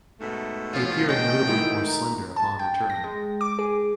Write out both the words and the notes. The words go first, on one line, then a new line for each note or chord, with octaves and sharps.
He appeared notably more slender upon returning.
G#2 B2 A3
F3 C#4 F4
C#4 D#5 G5
D#3 G#3 E4
A#5
A5
G5
A#6
G#3
D6
G#4